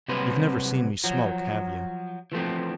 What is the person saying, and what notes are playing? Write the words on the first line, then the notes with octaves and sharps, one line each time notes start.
You've never seen me smoke, have you?
C3 F#3 G3 B4 C5
F3 F#3
E3 F3 A3 C4